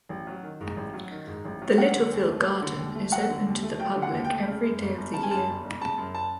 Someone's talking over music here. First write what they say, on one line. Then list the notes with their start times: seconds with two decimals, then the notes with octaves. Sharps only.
The Littlefield Garden is open to the public every day of the year.
0.09 A1
0.27 F#3
0.43 D#3
0.61 G#2
0.77 A1
0.94 F#3
1.11 D#3
1.27 G#2
1.45 A1
1.62 F#3
1.78 F#3 F#5
1.95 D3
2.12 D#2
2.28 A3
2.45 F#3
2.62 D3
2.78 D#2
2.95 A3
3.12 F#3 F#5
3.29 D3
3.46 D#2
3.63 A3
3.80 F#3 G5
3.96 D3
4.02 F#5
4.13 D#2
4.25 G5
4.29 A3
4.47 C#3
4.63 F#2
4.81 G1
4.97 G1
5.13 C#3 A5
5.23 G#5
5.31 F#2 A5
5.48 G1
5.64 G1
5.80 C#3 A5
5.98 F#2
6.15 A5